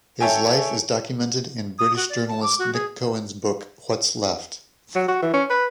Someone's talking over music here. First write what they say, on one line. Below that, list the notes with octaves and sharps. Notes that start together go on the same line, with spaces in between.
His life is documented in British journalist Nick Cohen's book "What's Left".
A4 C#5 E5 G5 G#5
D#6
F#4
D5
A5
D6
F#4
G#4
F#3
F#4
E3
C#4
B4